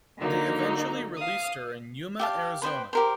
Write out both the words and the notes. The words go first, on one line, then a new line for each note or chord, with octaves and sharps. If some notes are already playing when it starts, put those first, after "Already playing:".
They eventually released her in Yuma, Arizona.
D3 F#3 A#3 D#4
F5 D#6
G4 F5 A5
B4 C5 D#5 G5
G4 A#4 C5